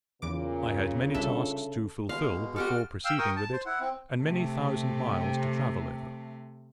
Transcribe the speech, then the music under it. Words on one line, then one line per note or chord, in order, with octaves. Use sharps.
I had many tasks to fulfil before proceeding with it, and many thousand miles to travel over.
E2 A#2 C#3 D6
C2 D4 A4 E5
B2 G#3 F5
F#4 G4 A4 F6
F5 G5 E6
A#4 G5 C#6 D#6
A5
C5
E4 F#5
C4
C3 A3